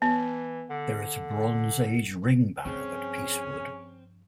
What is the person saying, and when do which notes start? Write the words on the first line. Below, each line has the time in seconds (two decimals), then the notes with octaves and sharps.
There is a bronze age ring barrow at Peacewood.
0.02 E3 B3
0.70 D3
2.65 G2 F3 C4 C#4 G#4